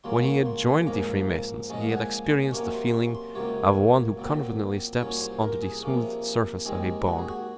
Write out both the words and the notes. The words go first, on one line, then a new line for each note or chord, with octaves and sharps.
When he had joined the Freemasons he had experienced the feeling of one who confidently steps onto the smooth surface of a bog.
C#2 C#3 F#3 A#3 C#4 C6
C#6
C6
G#5
G#2 F3 A#3 C#4 A#5
A#2 F3 G#3 C#4 D#5
F5
F#5
G#5
G#5
C3 F#3 A#3 C#4 C#6
C6
C#6
C6
C#2 C3 F#3 A#3 C#5
A#2 F#3 C4
C2 A#2 F#3 C#4 C#5
C5
A#4
G#4
C3 F3 A#3 C#4
D#2 D#3 G#3 C4 G#4
F#4
G#4
F#4